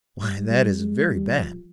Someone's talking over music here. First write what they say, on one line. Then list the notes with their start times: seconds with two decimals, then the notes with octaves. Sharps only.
Why, that is very bad!
0.21 G3
0.50 G3
0.78 G#3
1.06 G3
1.35 F3